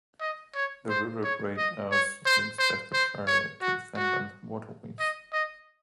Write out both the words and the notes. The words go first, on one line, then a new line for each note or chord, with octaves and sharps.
The River Great Ouse links Bedfordshire to the Fenland waterways.
D#5
C#5
C5
C#5
D#5
C#5
C5
C5
C5
C#5
F#4
F#4
D#5
D#5